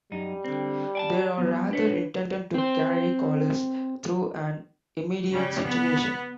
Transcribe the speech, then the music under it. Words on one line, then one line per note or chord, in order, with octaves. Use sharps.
They are rather intended to carry callers through an immediate situation.
F#2 G3 D#4
D3 C4
D5 G#5 A5
F#3 B3
D4 B4 C#5
C4 C5
C#3 G3 C#4
B3